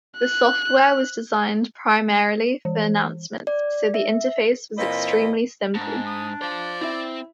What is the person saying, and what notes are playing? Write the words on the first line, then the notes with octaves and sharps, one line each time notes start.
The software was designed primarily for announcements, so the interface was extremely simple.
F#6
E3
D5
E5
A#2 E3 C4 D#5 B5
G#2 D4
D#6
F4 C5 D5
C4 E4 E5